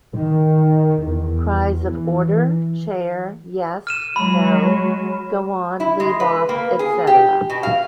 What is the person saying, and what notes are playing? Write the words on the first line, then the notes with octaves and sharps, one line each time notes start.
Cries of “Order,” “Chair,” “Yes,” “No,” “Go on,” “Leave off,” etc.
D#3
E2
E3
F6 D#7 E7
F#3 G#3 B5
E4
G#3
B4
A#3
G#4
G4
B2
F5